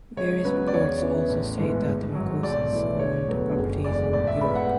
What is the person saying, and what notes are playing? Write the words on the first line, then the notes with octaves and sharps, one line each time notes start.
Various reports also state that the Marcoses owned properties in Europe.
C#2 C#5
C#3 F#3 B3 B4
D5
E2 C#5
C#3 E3 B3
A1
G#2 E3 G#3 B3
G#1
F#3
G#2
B1 D5
A2 E3
E1 C#5
D2 D3 F#3 B3
F#1
E2 D3 G#3 D5
A1 D5
E5
A2 G#3 B3 B5
F#5